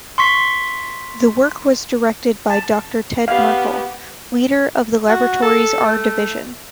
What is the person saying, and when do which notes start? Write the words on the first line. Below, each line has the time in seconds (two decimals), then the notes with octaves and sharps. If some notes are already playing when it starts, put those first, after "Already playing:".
The work was directed by Doctor Ted Merkle, leader of the laboratory's R-Division.
0.18 C6 C#6 B6
2.50 A5
3.28 B3 G4 F5
5.09 F#4
5.43 A4
5.85 A3